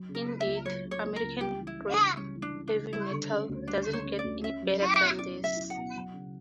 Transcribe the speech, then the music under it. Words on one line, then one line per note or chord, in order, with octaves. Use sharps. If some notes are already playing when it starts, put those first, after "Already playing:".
Indeed, American-bred heavy metal doesn't get any better than this.
Already playing: F#3
C#3
A#4
A#3
E5
C#2
F#3 C#5
C#3
C#5
A#3
A#4
C#2
G3 G4
E3
E4
C#3
D4
C#3
G3 C#4
E3
D4
C#3
D4
C#3
G3 E4
D3
C#4
D2
G3 D4
D3
C#5
C#4
D5
D2
C#4 E5
F#3
E4
E5
B2
C#4 D5
F#3
E5
E4
F#5
B2
F#3
C#3